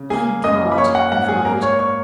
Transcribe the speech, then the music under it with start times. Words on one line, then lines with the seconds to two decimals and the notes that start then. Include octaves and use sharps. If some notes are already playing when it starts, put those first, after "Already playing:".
"By God!" he cried.
Already playing: C#3
0.10 A#3 G#4 G#5
0.44 F#2 D#5 D#6
0.72 B5
0.78 A#3 C#5 C#6
0.95 F#5
1.12 G#2 F#5
1.28 G#4 G#5
1.45 A#3 A#4 A#5
1.62 C#5 C#6
1.79 C#5 C#6